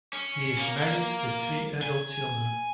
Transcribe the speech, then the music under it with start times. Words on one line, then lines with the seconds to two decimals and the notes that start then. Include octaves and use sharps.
He is married with three adult children.
0.13 C#4
0.58 A#3
1.83 G#5